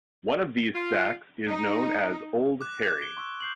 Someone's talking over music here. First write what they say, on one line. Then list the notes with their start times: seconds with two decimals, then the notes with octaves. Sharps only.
One of these stacks is known as Old Harry.
0.75 F4
1.48 D#4
2.61 D6 F#6
3.00 G#6 D7 G7
3.17 C6 C#6 E6
3.40 G6 C7 F#7